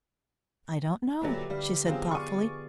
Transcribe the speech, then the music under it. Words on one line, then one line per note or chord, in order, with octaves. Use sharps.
"I don't know," she said thoughtfully.
A#2 D3 F#3 G4 B4 E5
D3 G3 G4 F5
F#3 B3 C4 F4 G#4
F4 D5 F5 C#6 D#7